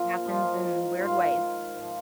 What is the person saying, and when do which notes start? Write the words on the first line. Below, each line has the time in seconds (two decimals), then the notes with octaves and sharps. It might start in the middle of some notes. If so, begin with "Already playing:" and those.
happens in weird ways.
Already playing: A#2 F3 F4
0.26 G#2 D#3 F3 F4
0.64 G#2 D#3
1.00 G#2 D#3 F4 F5
1.38 G#2 D#3
1.75 G#2 F3